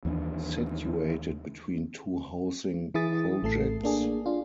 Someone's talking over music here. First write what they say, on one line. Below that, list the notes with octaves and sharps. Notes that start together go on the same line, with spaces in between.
Situated between two housing projects.
D#2 E3 C#4 D4
E3 E4 G#4 D#6 A6
A1 A3 A4 C7
A#3 D4 G#4
D4 F4